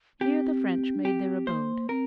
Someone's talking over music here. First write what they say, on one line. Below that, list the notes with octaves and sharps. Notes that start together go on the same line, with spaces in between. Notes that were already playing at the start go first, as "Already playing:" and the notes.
Here the French made their abode.
C4 G4
D4
C4 G4
A#3 C5
C4 A#4